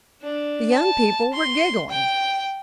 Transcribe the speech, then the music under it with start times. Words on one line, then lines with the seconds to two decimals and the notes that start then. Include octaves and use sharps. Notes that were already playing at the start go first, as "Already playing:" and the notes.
The young people were giggling.
0.22 D4
0.72 A5
1.33 C6
1.90 G5